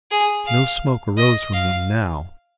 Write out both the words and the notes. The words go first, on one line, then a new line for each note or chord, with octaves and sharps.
No smoke arose from them now.
G#4
F5
D#5
F5